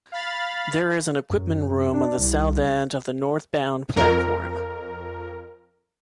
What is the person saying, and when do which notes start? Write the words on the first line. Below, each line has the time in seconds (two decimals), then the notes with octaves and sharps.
There is an equipment room on the south end of the northbound platform.
0.12 F5 B5 A6
1.30 F#2
1.94 D4
2.18 C2
3.96 F2 A#4